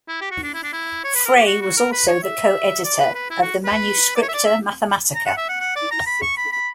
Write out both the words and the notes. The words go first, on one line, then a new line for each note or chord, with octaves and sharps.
Frey was also the co-editor of the "Manuscripta Mathematica".
E4
G4
F#4
D4
E4
D4
E4
C#5
B4
A#4
G4
F#4
F#4
A#4
B4
C#5
E5
D5
B4
B4
E4
F#4
B4
D5
C#5
E5
D5
E5
A#5
F#5
E5
F#5
F#5
D5
A#5
B5
C#6
B5
B5